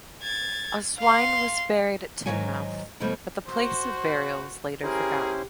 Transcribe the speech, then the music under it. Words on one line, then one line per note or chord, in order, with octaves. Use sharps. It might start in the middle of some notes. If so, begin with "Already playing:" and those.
Oswine was buried at Tynemouth, but the place of burial was later forgotten.
G#6 A6
F5 C6
G#2 D#3 E3 F#3 C#5 G#5
D#2 B2 F3 G3 A3
F#4 C5
C#4 E4 G4 G#4 A#4 C5